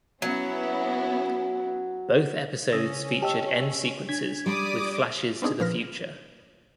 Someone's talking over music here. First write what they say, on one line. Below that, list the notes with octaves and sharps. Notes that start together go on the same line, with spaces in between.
Both episodes featured end sequences with flashes to the future.
F#3 B3 C#4 E4
C#3 C#4 D#6 E6 A#6
G4 D#5 G5 A5 E6
D4 G#6 B6
G3 D5 D6 D#6
B3 C4 D4 D#4 G#4
A#2 F3 B4 F6 A#6